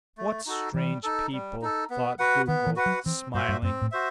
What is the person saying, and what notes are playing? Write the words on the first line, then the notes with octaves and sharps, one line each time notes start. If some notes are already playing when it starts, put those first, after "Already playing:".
"What strange people!" thought Duco, smiling.
A3
D#4 F#4 A4
E3 G3
D#4 A4
G3
D#4 A4
B3
F#4 B4 F#5
D#3 B3
E3
F#4 B4 F#5
F#3
E3 C4
G2 F#4 C5 E5
G2
F#2 C4
A2
F#4 C5 E5